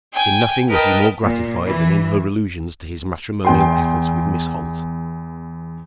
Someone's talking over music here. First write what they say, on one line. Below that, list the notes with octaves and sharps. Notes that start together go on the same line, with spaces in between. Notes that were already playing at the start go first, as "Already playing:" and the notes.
In nothing was he more gratified than in her allusions to his matrimonial efforts with Miss Holt.
G5 G#5
A#4 B4 D#5 G5 A5
A#2
E3
E2 G5 C6